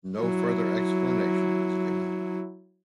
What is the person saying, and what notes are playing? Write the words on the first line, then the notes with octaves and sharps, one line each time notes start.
No further explanation was given.
F#3 E4